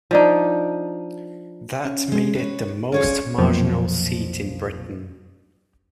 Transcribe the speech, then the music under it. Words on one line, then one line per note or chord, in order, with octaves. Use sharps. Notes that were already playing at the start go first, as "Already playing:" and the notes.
That made it the most marginal seat in Britain.
F3 D4 D#4
C#4
G#3
B4 C#5
C#4 F4 G#4 C#5 D5
B1 F2 A#2 F3